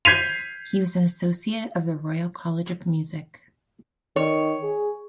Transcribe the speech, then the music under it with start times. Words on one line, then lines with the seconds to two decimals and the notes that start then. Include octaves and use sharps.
He was an Associate of the Royal College of Music.
0.05 G6 G#6 B6 C7 D#7 F7
4.16 D#3 C#5
4.63 G#4